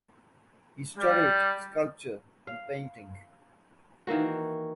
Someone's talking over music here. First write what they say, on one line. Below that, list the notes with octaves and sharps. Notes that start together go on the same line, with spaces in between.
He studied sculpture and painting.
G3
F5
D#3 E3 A#3 F#4